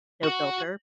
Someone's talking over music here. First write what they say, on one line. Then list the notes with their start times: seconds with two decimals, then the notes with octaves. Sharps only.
No filter.
0.24 F#4 F#5